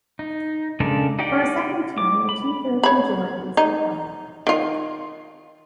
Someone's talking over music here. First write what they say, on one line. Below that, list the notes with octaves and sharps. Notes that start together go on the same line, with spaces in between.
For a second term, a two-thirds majority is required.
D#4
C#3 G#3 D4 A4 A#4
D#4 G4 D5 F#5 G5
D6
B5
C#5 B5
D#4
D#3 F4